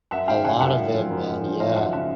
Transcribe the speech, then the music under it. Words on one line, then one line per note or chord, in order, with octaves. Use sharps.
A lot of it, man, yeah.
F#2 E5 F#5
G#1 F5 G5
C#3 F#5 G#5
F#2 E5 F#5
G#1
F3
F#2
F#2
F3
G#1 D#5 F5
F#2 E5 F#5
C#3 E5 F#5